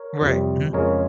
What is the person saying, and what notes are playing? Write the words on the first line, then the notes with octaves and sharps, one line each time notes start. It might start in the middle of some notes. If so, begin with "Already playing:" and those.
Right, mhm.
Already playing: A#4 C#5
F2 C3 G3
F2 C#3 G#3 A#4 C#5